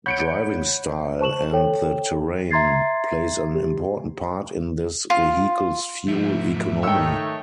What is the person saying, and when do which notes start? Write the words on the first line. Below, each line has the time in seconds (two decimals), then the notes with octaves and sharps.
Driving style and the terrain plays an important part in this Vehicle's fuel economy.
0.06 C#5 F#5 B5 G6 C#7 D7
1.20 C5 A5 C#6 E7 F#7
1.53 A4 C#5 G5
2.51 E5 A#5 C6 G#6 A6 C7
3.54 G4
5.10 F4
6.08 G#2 F3 A3 E5
6.83 D#3 A3 C#5 G5 E6